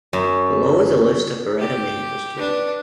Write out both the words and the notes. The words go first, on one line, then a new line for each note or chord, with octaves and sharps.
Below is the list of Beretta Mini Pistols.
F#2
G4
D4 B4